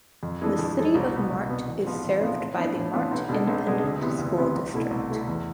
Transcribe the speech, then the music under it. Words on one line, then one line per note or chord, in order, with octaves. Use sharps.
The City of Mart is served by the Mart Independent School District.
F2
E3 G#3 D4 A4
F2
E3 G#3 D4 A4
C2
B2 B3
C2
B2 B3
A1
G#2 F3 B3 F4
A1
G#2 F3 B3 F4
A2
E3 B3 D4 F4
A2
E3 B3 D4 F4
B1
B2 G#3 D4 A4
B1
B2 G#3 D4 A4
D2
C3 E3 B3
D2
C3 E3 B3
C2
B2 A3 E4 A4
C2
B2 A3 E4 A4
E2